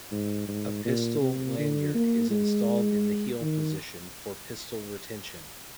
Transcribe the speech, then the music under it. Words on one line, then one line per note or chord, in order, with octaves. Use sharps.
A pistol lanyard is installed in the heel position for pistol retention.
G#2
G#2
A#2
C3
D3
A#3
G#3
D#3